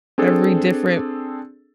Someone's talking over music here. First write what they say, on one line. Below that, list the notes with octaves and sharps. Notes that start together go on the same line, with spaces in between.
every different
C4 D4 G#4 A4